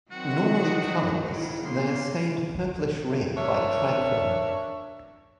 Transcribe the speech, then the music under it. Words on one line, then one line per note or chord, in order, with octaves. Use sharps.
Normally colorless, they are stained purplish-red by trichrome.
D#3 F#3 C4 F#4 F#5
D#4
C#3 E4
A#3 B3 C6
D4 A#4 C#5 E5